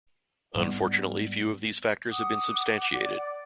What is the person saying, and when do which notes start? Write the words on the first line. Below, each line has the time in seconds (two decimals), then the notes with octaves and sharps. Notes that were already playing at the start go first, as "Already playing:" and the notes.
Unfortunately few of these factors have been substantiated.
0.55 G#2 G3 B3
2.10 F#5 D6 D#6
2.94 D5